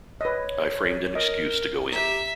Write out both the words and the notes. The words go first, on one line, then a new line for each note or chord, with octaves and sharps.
I framed an excuse to go in.
B4 C#5 D#5
A#4 D#5
G4 E5 A#5